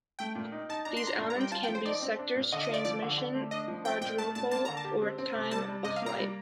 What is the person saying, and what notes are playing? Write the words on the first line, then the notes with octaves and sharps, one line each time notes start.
These elements can be sectors, transmission quadrupole, or time-of-flight.
A3 G5
A#2
D#4
D#4 A5
D4 A#5
C6
D4 A#5
A#2
A#5
G3
G5
F4 A5
G5
F3
C5
D#4 D5
C4
D4
A#2
D3 D#5
D#5
F4
D5
F3 D5
D3
D3
A3
D4 D#5
F3
C4 G5
A#2 G5
A3 A5
A#2 A5
A#3 A5
D3 A#5
A5
G4
C4
C4
C3
G3 A5
G3
C3 D#5
F5
A#3 A#5
G3